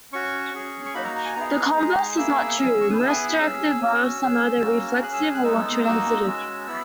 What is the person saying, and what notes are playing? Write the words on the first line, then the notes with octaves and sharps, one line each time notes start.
The converse is not true: most directed graphs are neither reflexive nor transitive.
C#4 F#4 C#6
C#4 G#4
C#6
A#3 D#4 F#4 B5
A#5
A#5
G#5
B3 D#4 G#4 A#5
G#3 D#4 G#4
A#3 E4 G#4 E6
C#4 G#4
C#6
D#6
B3 E4 G#4 E6
D#6
B5
C#4 G#4 E6
C#4 F#4
C#4 G#4
A#3 C#4 F#4
C#4 G#4 F#6
E6
F#6
F#6
G#3 B3 D#4 E6
A#3 D#4 F#4 E6
G#3 C#4 F#4
B3 E4 E6